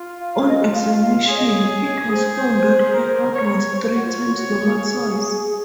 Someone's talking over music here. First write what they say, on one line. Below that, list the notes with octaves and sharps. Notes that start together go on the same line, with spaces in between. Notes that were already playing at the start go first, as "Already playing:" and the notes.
On examination it was found that her heart was three times normal size.
Already playing: F4
F5
C#5
D#5
F5
F5
G#4 C#5
D#5
C#5
G#4 C5
A#4
C#5
C5 C#5
F#4
F4
F4
F#4
G#4